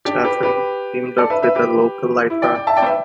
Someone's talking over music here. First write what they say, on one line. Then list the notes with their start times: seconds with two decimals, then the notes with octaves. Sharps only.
Stephanie teamed up with a local lifeguard.
0.05 D4 G4
0.24 G4 B4
0.43 G4 B4
1.18 A4 D5
1.30 B4 E5
1.42 B4 E5
1.55 G4 B4
2.30 E4
2.42 D5 G5
2.54 D5 G5
2.67 E5 A5
2.77 D5 G5
2.86 B4 E5